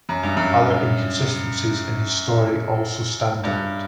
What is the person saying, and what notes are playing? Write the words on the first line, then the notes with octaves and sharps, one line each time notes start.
Other inconsistencies in his story also stand out.
F#2
G2
F#2
G2